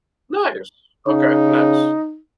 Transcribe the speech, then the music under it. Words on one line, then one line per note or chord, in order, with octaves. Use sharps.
Nice. Okay, nice.
C#3 D#4